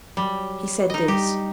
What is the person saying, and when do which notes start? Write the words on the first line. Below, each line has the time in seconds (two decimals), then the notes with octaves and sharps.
He said this.
0.17 F#3 G3
0.90 D#4 D#5
1.08 G3 G4